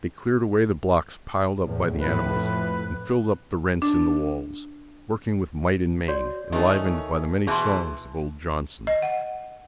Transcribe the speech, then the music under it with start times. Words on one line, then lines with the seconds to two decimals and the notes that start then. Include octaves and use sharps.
They cleared away the blocks piled up by the animals, and filled up the rents in the walls, working with might and main, enlivened by the many songs of old Johnson.
1.64 E2 A2
2.01 F2 A2 B4
3.82 D4
6.08 F#4 C#5 D5
6.52 D#3 A3 C#4
7.47 B2 E3 E4 G#4 C6
8.87 D#5
9.02 F#5